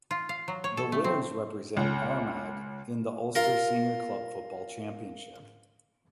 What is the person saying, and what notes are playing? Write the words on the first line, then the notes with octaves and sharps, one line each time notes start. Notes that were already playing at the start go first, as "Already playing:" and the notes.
The winners represent Armagh in the Ulster Senior Club Football Championship.
F4
F5
F#3
C#5
A4
A3
C4
C#2
F4 A#4